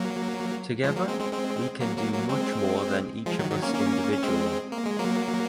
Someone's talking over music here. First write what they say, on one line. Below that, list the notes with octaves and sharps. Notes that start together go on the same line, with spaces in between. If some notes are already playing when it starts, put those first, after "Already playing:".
Together, we can do much more than each of us individually.
Already playing: F#3 A#3
F3 G#3
F#3 A#3
G#3 C4
G#3 C4
G#3 C4
F#3 A#3
F#3 A#3
F#3 A#3
G#3 C4
F3 G#3
D#3 F#3
D#3 F#3
A#3 C#4
A#3 C#4
C#4
G#3 C4
A#3
G#3
F#3 A#3